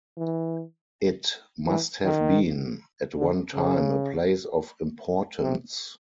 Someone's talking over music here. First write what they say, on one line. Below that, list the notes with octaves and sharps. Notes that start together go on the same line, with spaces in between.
It must have been at one time a place of importance.
E3
E3
D#3
D3
C#3
C3